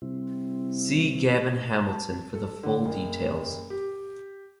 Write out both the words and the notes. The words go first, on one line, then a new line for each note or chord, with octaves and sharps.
See Gavin Hamilton for the full details.
C3 G3 C4 E4
A5
A4
D3
F#1
G4